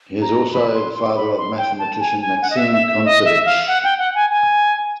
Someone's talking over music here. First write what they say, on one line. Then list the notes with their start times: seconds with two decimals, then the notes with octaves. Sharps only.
He is also the father of mathematician Maxim Kontsevich.
0.22 A#5
0.53 B5
0.74 C6
0.95 C6
1.16 B5
1.37 C6
1.58 G5
1.79 A5
2.00 G#5
2.21 G#5
2.42 F#5
2.50 D#5
2.57 E5
2.72 E5
2.88 E5
3.05 D#5
3.25 E5
3.46 F5
3.68 F#5
3.84 G5
3.99 F#5
4.15 G#5
4.31 G#5